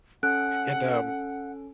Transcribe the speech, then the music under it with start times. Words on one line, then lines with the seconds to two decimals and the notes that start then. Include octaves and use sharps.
and, um,
0.23 C#4 A4 F#5 F#6 D7